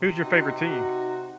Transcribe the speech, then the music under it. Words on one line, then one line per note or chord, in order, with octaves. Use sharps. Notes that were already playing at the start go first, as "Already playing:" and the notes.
Who's your favorite team?
Already playing: C3
D#4 F#4
D#4 F#4